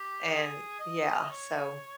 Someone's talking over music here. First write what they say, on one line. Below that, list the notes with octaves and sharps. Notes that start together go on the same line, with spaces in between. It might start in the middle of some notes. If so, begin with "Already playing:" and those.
And yeah, so.
Already playing: G4
G#4
D#5
C#5